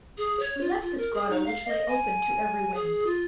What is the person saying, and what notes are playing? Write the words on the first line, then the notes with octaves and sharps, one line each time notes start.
We left this grotto which lay open to every wind.
G#4
C#5
F4
F4
A#4
G#4
D#4
F5
D#5
G#5
G#4
F4